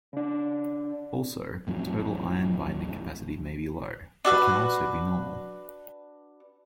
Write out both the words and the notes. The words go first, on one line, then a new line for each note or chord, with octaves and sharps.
Also, total iron binding capacity may be low, but can also be normal.
C#3 D4
A1 F2 A2 F#3
D4 F#4 A4 B4